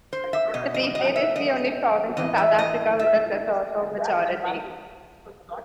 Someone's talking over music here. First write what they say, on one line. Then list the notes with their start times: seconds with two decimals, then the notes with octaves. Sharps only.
The Free State is the only province in South Africa with a Sesotho majority.
0.13 C5
0.33 E5
0.54 B2 D#5
0.74 D#5
0.95 D#5
1.16 E5
1.36 D#5
2.17 A2 E3 D#5
2.38 E5
2.58 D#5
2.99 E5